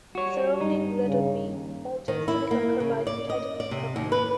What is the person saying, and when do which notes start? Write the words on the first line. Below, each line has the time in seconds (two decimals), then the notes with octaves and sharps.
Surrounding that would be molten silicon carbide and titanium carbide.
0.15 G3 F#4 C#5
0.61 G2 D#4
1.06 C#3
1.40 D#2
2.08 D#3
2.28 E4
2.51 A#3
2.80 C#3
3.07 D5
3.30 D#5
3.60 D5
3.71 C3
3.96 D#2
4.12 B4